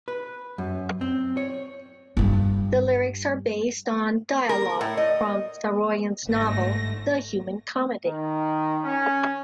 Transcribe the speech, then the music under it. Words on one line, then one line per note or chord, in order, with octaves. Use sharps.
The lyrics are based on dialogue from Saroyan's novel "The Human Comedy".
B4
F#2
C4
C#5
G2 G3
A#4
A2
D#5
G1 G#2 A3 A#6
D#3
C#4